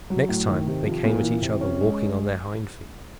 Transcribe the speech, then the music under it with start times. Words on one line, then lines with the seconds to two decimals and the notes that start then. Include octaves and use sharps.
Next time they came at each other walking on their hind feet.
0.10 F#3
0.29 A2
0.48 D#3
0.67 C3
0.85 F3
1.05 A#2
1.23 E3
1.42 C3
1.61 C#4
1.80 G#3